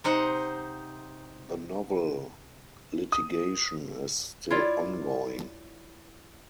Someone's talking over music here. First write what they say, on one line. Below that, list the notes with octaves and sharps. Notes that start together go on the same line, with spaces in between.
The Novell litigation is still ongoing.
C3 D#4 C5 F#5
D#6
E4 F4 C#5 D5